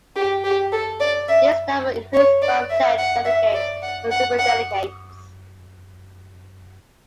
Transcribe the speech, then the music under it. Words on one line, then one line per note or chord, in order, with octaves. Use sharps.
This number includes both pledged delegates and superdelegates.
G4
G4
A4
D5
E5
C#5
D5
E5
F#5
E5
D5
F#5
F#5
F#5